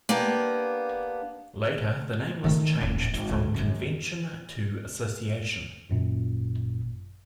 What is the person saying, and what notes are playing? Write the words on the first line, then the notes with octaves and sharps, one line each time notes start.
Later the name was changed from "Convention" to "Association".
A#3 B3 D4 G4
D#3 A3
D#1 A1
G#1
D2 A2
F#2 D#3
G#1 F#2 A#2